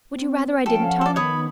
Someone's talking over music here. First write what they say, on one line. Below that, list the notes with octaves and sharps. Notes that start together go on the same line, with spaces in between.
Would you rather I didn't talk?
C4
F3 C#4 A4 F5 G5
F#5
A4 D5
D#3 B3 C#5 B5 D#6